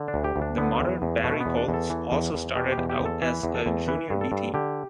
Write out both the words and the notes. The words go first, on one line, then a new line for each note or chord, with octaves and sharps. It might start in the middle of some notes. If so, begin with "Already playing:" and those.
The modern Barrie Colts also started out as a Junior B team.
Already playing: D3
D4
D2
G4
D2
D4
D3 B3
E2
E2
B2 A3
B3
E2
D4
E2
A4
E3
E2
E2
B2 G4
G4
E2
G4
E2
A4
E3 B4
E2
A4
E2
E3 B4
G2
A4
G2
D3 G4